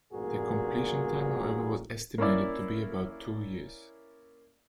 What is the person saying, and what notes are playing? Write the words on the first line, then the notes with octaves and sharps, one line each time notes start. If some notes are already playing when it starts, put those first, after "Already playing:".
The completion time however was estimated to be about two years.
A1 G2 A#2 F#4 G#4 A#4
A#3 C#4 E4 D5